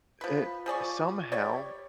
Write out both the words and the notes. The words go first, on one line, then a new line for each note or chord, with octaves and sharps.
it somehow,
F3 B4
F3 G#4 D5 C#6
G3 C#5 D5